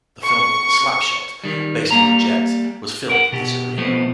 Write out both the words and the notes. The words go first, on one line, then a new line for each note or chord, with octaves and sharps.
The film "Slap Shot", based on the Jets, was filmed in this arena.
C#6
D#3 G3
G3 A#3 A#5
A#4 F#5
B2 G4
B2 F3 A3 B3 C4